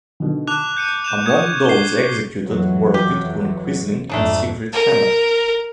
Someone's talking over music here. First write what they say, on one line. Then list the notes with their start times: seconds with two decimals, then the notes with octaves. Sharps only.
Among those executed were Vidkun Quisling and Siegfried Fehmer.
0.20 B2 D3 D#3
0.47 A5 D6 F#6 F7
0.77 G6 C#7 D#7
1.04 G6 E7 F7
1.26 C#6 D#6 G#6
1.65 D4 C7 G7
2.47 F2 E3 F#3
2.94 G4
4.09 F2 G#2 A3 D4 D#4
4.73 A#4